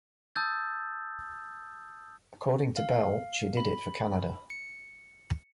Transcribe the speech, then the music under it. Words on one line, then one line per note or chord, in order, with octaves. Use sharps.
According to Bell, she did it for Canada.
A5 D#6 E6 G6 A6
F5
B5
C#7